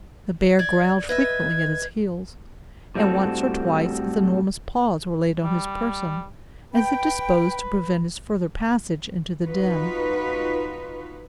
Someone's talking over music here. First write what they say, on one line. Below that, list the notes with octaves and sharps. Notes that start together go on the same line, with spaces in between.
The bear growled frequently at his heels, and once or twice its enormous paws were laid on his person, as if disposed to prevent his further passage into the den.
D5 G#6
B4 D#5 E5 G#6
A2 G3 C4 F#4 A4
G3
B4 G5
D#4 F4 F#4 B4